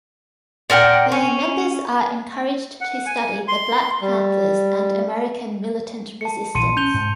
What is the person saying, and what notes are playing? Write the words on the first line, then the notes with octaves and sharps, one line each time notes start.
Their members are encouraged to study the Black Panthers and American Militant Resistance.
A#2 A#4 F#5 G5
C#4
F#5
G#5
C6
G3
A5 C#7
A#1 E3 C6 C#7 D#7
C#4 G6 F7 G7
G#2